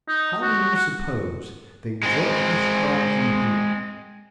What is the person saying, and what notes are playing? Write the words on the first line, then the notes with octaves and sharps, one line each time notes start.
How do you suppose they worked this trap from here?
D#4
F#4
F#5
G#3 C4